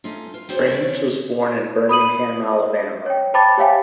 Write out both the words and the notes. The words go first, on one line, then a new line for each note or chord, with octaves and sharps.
Raines was born in Birmingham, Alabama.
A3 C#4 D#4 F4
F4
C4 F4 F#4 G#4 C5 C#5
C#4 C#5 D5
B5 D#6 D#7 F#7
C#5 G5
C5 G5 A5 B5 D6 A6
G4 C#5 E5 F5 G5 G#5